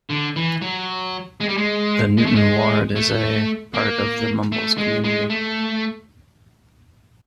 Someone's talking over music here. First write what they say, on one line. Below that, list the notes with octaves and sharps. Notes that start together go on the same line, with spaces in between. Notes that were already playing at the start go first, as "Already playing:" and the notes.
The Newton ward is a part of the Mumbles community.
D3
E3
F#3
G#3
G3
G#3
G#3
A3
G#3
A3
A#3
A3
G#3
G#3
A3